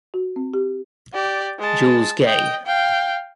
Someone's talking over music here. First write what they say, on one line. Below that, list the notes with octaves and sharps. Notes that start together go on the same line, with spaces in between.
Jules Gay.
F#4
C4
G4
G4 D5
G#3 A5
D#5 G5
F5 G5